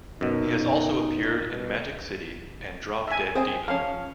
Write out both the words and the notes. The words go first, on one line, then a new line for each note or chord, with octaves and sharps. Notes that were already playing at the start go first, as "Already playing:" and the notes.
He has also appeared in "Magic City" and "Drop Dead Diva".
F#2 B2 D#4
B2
E5 G#5
C4 G#4 G#5
F3 C#4 F5